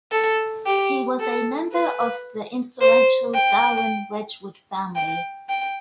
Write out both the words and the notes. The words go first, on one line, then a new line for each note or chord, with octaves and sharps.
He was a member of the influential Darwin-Wedgwood family.
A4
G4
A4
B4
C5
G5
G5
G5